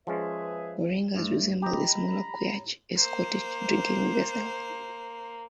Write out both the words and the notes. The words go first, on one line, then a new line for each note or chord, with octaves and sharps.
Porringers resembled the smaller quaich, a Scottish drinking vessel.
F3 G#3 C#4 G#4 B4 E5
G2 A3
G4 D#5 A#5 B5
A#3 C5